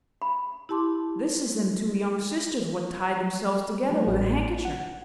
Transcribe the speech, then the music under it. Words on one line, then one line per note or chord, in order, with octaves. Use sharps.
This is them two young sisters what tied themselves together with a handkecher.
B5
E4 G4 A5 C6 D6
F3 G3 A3 C#4 B4
A1 F#4
F#5